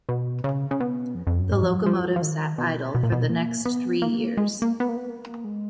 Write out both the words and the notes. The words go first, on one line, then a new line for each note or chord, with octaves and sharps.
The locomotive sat idle for the next three years.
B2
C#3
C#3
B2
F2
F2
F#2
G#2
F3
F#3
F3
F3
D#3
B2
B2
A#2
B2
A#3
B3
A#3
G#3
A#3
B3
A#3
B3
A#3
G#3